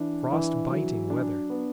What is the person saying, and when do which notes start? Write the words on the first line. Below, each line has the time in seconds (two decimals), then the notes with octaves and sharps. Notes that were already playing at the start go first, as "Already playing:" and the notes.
Frostbiting weather!
Already playing: E3 D4
0.32 E3
0.70 F#3
1.10 D4
1.50 B3